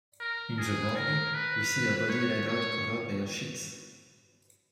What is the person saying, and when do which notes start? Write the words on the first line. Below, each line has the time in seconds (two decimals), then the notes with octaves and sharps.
In the morgue, we see a body laid out covered by a sheet.
0.20 A#4
0.59 G#4
0.96 A#4
1.34 B4
2.10 C#5
2.48 C#5